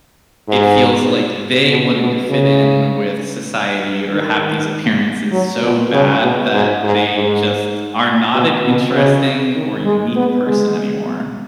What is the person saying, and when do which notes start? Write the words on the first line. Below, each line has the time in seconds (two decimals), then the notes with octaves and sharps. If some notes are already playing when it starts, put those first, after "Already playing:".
it feels like they wanted to fit in with society, or have these appearances so bad that they just are not an interesting, or unique person anymore.
0.49 G#2
1.69 B2
2.00 B2
2.30 C#3
4.12 D#3
5.32 F#3
5.62 B2
5.92 C#3
6.22 B2
6.53 G#2
6.84 G#2
7.14 G#2
8.35 B2
8.65 B2
8.95 C#3
9.55 D#3
9.86 G#3
10.16 B3
10.46 G#3